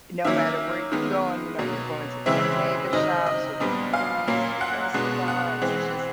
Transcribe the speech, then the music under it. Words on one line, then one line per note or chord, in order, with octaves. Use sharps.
no matter where you going, you know, you're going to the bodega shops or the eateries, the restaurants, it's just,
D#3 F#3 A#3 C#4 E5
D#3 G#3 B3
B2 F#3 A#3 C#4
C#3 E3 G#3 C4 E5
C3 D#3 F#3 D#5
D#5
A#2 G3 B3 D4
F5
A#2 F#3 A#3 C#4
F#5
B2 G#3 B3 D4
F#5
E3 G#3 C4